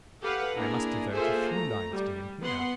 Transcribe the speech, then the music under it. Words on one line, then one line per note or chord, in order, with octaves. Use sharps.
I must devote a few lines to him here.
G4 A4 B4 F5 F#5
A#3 D4 E4 G#4 A#5
A#3 F4 G#4 A4 C5 E5
A3 A#5
G3
B3 F#5 C6